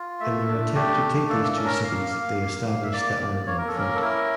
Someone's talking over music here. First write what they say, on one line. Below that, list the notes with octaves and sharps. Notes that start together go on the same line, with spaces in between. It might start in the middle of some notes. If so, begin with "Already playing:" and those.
In their attempt to take these two cities they established the Aragon front.
Already playing: F4
A3 E5
D4
A3 G4
D4
A#3 A4
A4
C#4
A#4
A#3 F5
A#3
A#3
A#3
E5
A#3 D5
A#3
A#3 C#5
A#4
A4
C#4 A#4
A4
E4 A#4